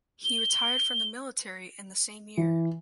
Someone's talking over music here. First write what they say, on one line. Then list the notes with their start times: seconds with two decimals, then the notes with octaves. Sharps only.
He retired from the military in the same year.
0.24 G7
2.37 E3